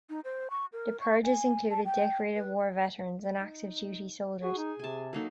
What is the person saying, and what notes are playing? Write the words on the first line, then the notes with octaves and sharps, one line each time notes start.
The purges included decorated war veterans and active duty soldiers.
D#4
C5
C#6
A#4
C#6
G#5
A5
G5
B4
D#4
F#4 G#4
D#4
C3 G#5 A5
F#3 A#3 D#4 A4